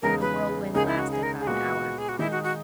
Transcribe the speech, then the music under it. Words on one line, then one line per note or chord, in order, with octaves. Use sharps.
The whirlwind lasted about an hour.
E2 C#3 G#3 B3 D#4 A#4
B4
C#2 C#3 G#3 D#4 G#4 A#4
E4
F#4
G#4
A#4
G#4
A#2 G#3 B3 F#4
G#4
F#4
D#3 G#3 D#4 E4
F#4
F#4